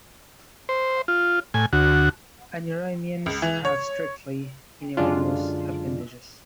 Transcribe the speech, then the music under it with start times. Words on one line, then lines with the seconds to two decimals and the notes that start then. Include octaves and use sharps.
Uniramians have strictly uniramous appendages.
0.69 C5
1.08 F4
1.54 A2 G#5
1.73 D2 F#4
3.26 C#2
3.42 E3
3.65 C#5
4.97 F#2 D3 G#3 D4 F4